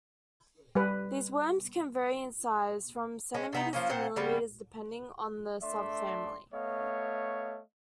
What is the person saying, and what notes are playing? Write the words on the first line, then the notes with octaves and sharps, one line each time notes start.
These worms can vary in size, from centimeters to millimeters, depending on the subfamily.
G3 B4
G#3 C#4
C3 B3 D#4
F3 A#3 C#4
A#2 C4 C5 F#5
C#3 G3 B3 C4
A3 D4 D5 E5 C6
A3 B3 C#5 D#5 F5